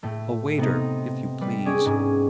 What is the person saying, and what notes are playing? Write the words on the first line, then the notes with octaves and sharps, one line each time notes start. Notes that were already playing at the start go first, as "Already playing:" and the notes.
A waiter, if you please.
A2 A3
C3 B3 C4 D#4
G3 B4
C#4 G#4 D5
G#2